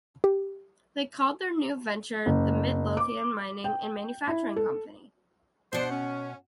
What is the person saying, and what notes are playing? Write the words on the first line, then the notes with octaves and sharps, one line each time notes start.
They called their new venture the Mid-Lothian Mining and Manufacturing Company.
G4
F#1
D6
G5
E4
A4
B2 D4 C5 F#5
C#4